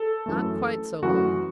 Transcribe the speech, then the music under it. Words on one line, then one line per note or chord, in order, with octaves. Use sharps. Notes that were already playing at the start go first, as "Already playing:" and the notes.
"Not quite so long."
Already playing: A4
F#2 E3 A3
F#2 E3 A3 F#4